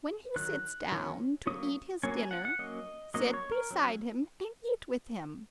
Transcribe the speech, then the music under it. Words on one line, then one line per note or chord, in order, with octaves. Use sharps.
When he sits down to eat his dinner sit beside him and eat with him.
D#3 F#3 F#6
D#3 F#3 C#4
F#3 A#3 C#4 D#6
F#3 A#3 C#4 G#5
G#5
F#5
F#5
F#3 A#3 C#4 D#5
F#3 A#3 C#4 D#5
C#5
A#4
F#3 C#4